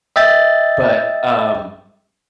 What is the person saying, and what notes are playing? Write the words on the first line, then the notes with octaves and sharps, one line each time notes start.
but, um,
D#5 E5 G5 A6